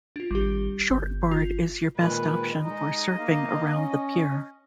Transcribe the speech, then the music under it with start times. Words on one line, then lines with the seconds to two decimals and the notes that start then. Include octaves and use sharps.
Shortboard is your best option for surfing around the Pier.
0.16 D4 F4
0.31 G#1 G3 G4
0.90 G1 G6
1.31 F4
1.97 A#2 D#3 G#3 B4
2.64 G#3 D#4 D#5
3.18 A#3 D#4 F5
3.72 C#4